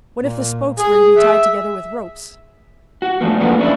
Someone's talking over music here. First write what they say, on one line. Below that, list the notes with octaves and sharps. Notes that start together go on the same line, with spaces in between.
"What if the spokes were to be tied together with ropes?"
A#2
G#4
E5
F#4
D3 F3 A3 A#3
C#3 G3 A#3 B3 D4 F4
C#4 D4 E4